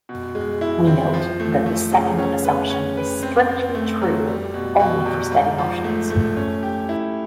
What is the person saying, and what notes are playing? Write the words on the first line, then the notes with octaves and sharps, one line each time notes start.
We note that this second assumption is strictly true only for steady motions.
B2
G#3
E4
C4
F3
A3
A3
C#3
C#4
B4
C#4
B4
C4
C4
A3
F#3
G3
B2
B2
E2
G#2
F3
A3
A3
C#4
G4
E4